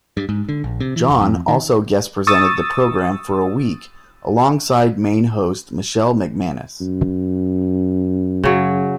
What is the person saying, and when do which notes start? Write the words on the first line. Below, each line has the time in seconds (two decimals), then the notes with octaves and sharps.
John also guest presented the programme for a week alongside main host Michelle McManus.
0.17 G2
0.29 G#2
0.49 D3
0.64 A#1
0.80 C3
0.96 E3
1.09 F1
1.21 F2
1.48 D#3
2.27 C#6 D#6 E6 A6
6.81 F#2
8.44 C#3 F#3